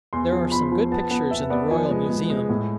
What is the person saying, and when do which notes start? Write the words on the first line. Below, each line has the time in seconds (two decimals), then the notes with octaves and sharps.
There are some good pictures in the royal museum.
0.13 E2 C6
0.32 F3
0.52 E2 B5
0.72 F3
0.92 B3 A5
1.11 B3
1.31 E2 E5
1.50 B3 D5
1.71 F3 G#5
1.90 G#3
2.09 G#3
2.29 G#3
2.49 A2